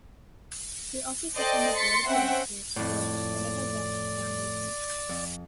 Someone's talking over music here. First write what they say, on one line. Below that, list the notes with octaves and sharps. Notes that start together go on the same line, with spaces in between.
She also sits on the Board of Directors for the Canada West Foundation.
A4 C5 D5 D#5 G5
C6 A6 B6 C#7
C4 C#4 E5 F#5 G5
F2 A2 D5
F2